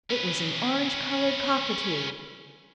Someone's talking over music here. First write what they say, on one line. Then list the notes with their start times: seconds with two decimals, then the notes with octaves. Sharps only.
It was an orange-coloured cockatoo.
0.10 C#4 B4